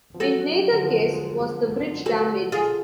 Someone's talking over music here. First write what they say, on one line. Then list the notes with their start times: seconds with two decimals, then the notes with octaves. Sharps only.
In neither case was the bridge damaged.
0.14 F3
0.20 F#3 F#4 A4
0.51 F#3
0.71 D3
0.82 F3
1.13 G#3
2.06 F#4 A4
2.52 F4 G#4